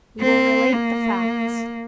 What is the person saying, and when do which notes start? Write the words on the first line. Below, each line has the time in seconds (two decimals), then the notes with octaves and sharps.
We will relate the facts.
0.21 C4
0.73 A#3